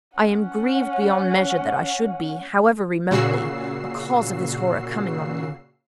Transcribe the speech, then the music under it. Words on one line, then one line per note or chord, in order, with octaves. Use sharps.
I am grieved beyond measure that I should be, however remotely, a cause of this horror coming on you.
C#4 F#5
A#2 C#3 F#4 E6 C7